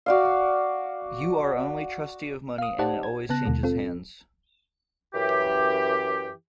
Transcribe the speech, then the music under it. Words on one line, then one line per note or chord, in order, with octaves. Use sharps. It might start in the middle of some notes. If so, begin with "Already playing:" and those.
You are only trustee of money and it always changes hands.
F#4 D5 F5
F5 D#6
D#4 G4 C5 D5 F#5 A5
G#6
C#3 B3 A5 F#6 A#6
D#2 B2 D3 G#3
C4 F4 A4
F#2 E3 G4